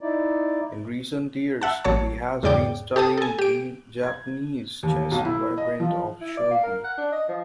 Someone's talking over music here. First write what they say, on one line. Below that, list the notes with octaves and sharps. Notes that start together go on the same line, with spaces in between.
In recent years, he has been studying the Japanese chess variant of shogi.
D#4 E4 D5
E5 F#5 A5
A1 F#3 C#5 A5
E2 G#2 C#3 D5 G5 D6
G4 A4 A5 D#6
A4 G#5
G4 D7
G#6
D#2
B1
E4
D#5
F3
E4
D5
F5
A#4
F#5
D4
D#5
F3